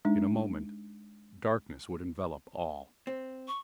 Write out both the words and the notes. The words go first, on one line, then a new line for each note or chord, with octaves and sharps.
In a moment darkness would envelop all.
G#3 D4 D#4
C4
C#6